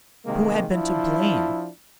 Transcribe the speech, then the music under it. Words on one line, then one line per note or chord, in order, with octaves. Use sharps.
Who had been to blame?
C3 D#3 G#3 A#3
F3 D4 E4